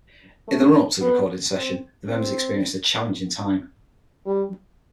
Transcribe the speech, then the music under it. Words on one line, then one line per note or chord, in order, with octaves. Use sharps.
In the run-up to the recording session, the members experienced a challenging time.
A3
B3
C4
C4
G3